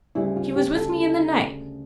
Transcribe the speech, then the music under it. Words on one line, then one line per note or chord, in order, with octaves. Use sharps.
She was with me in the night.
D2 C#3 G3 E4
F4
G4
A4